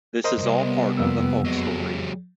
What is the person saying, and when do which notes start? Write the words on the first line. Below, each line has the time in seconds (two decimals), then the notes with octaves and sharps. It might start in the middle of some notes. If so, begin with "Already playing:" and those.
"This is all part of the folk story."
0.24 A#4 C5 D#5
0.38 C2 G2
0.63 B3
0.97 F2 A#3 E6
1.45 F#3 G#3